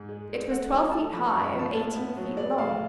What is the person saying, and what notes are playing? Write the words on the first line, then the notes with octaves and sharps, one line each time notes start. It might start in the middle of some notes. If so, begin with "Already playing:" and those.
It was twelve feet high and eighteen feet long.
Already playing: G#2
G#3
G#3
A3 F#5
F#3 G#5
A3 A5
F3 B5
C#6
F#2
B5
F3
A5
A2 A5
B3
F#3
G#3 D5
A2 F5